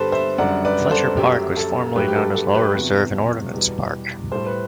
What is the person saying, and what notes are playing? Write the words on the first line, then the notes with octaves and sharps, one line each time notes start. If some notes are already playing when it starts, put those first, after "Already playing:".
Fletcher Park was formally known as Lower Reserve and Ordinance Park.
Already playing: G2 D3 G3 G4 A4 B4 C5
C5 E5
F#2 D3 G3 D5 F#5
B4 D5
A4 C5
F#2 F#3 A3 G4
A4
G2 F#3 A3 G4 B4
G4
A4
A4
G4 B4
E2 C3 F#3
E2 B2 G3
A2 G3 A4 C5
B4